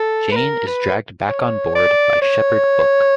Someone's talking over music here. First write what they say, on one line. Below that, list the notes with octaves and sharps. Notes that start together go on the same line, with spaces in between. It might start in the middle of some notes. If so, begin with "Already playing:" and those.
Jayne is dragged back on board by Shepherd Book.
Already playing: A4
B4
A#4
B4
C#5
D5
C#5